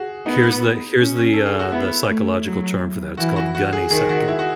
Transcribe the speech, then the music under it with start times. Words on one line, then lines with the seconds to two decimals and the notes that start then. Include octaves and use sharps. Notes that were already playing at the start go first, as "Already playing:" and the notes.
Here's the here's the, uh, the psychological term for that, it's called "Gunny sacking."
Already playing: F#4 G#4
0.26 B3 D#4
0.99 C#4
1.34 A4
1.46 G#4
1.59 F#4
1.72 B3 E4
2.08 A3
2.45 F#3
3.17 E3 F#4
3.36 F#4
3.55 F#4
3.73 G#4
3.91 D#3 G#4
4.09 F#4
4.28 E4
4.39 F#4